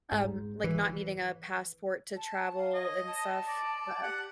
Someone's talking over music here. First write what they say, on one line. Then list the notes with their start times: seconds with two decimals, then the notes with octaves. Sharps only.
um, like not needing a passport to travel, and stuff, uh,
0.12 G#2
0.64 E3
2.16 A5
2.58 F5
2.74 C#5 D#5
3.08 A5
3.48 D5
4.03 G4 F#5